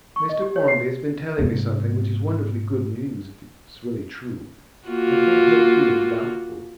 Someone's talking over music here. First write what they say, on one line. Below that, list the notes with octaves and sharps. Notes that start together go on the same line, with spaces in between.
'Mr Quarmby has been telling me something which is wonderfully good news if it's really true; but I can't help feeling doubtful.
C#6
D#5
G4
C#5
C7
G#2 C3
A#3 F4 F#4